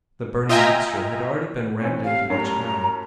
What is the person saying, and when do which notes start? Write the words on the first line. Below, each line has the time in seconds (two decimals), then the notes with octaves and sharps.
The burning mixture had already been rammed into each gun.
0.49 F4 D#5 E5 G5 G#5 A#5
1.81 E3 C4 C#4
2.04 C3 F5
2.30 F#2 A2 G3 A#5